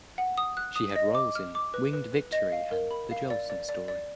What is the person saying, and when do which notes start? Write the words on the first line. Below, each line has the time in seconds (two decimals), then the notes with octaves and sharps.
She had roles in "Winged Victory" and "The Jolson Story".
0.18 F#5
0.38 D#6
0.57 F#6
0.76 D#6
0.96 D#5
1.15 D6
1.35 F6
1.55 D6
1.74 B4
1.93 B4
2.12 B4
2.32 D#5
2.52 F5
2.71 A#4
2.91 B5
3.11 F5
3.30 D5
3.50 D5
3.69 D5
3.88 D5